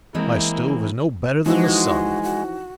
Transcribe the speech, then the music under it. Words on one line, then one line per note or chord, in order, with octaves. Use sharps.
My stove is no better than the sun.
E3 G#3 A#3 C4 E4
E3 F3 G#3 D#4 F#4
F#4